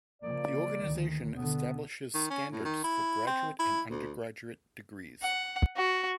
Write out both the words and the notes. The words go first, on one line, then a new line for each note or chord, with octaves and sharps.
The organization establishes standards for graduate and undergraduate degrees.
C#3 F3 A#3 D5
D2 D#3
B2 D3 B3
D#3
C#4
A2
D#3
E4
C4
E4
D2
F#5
F#4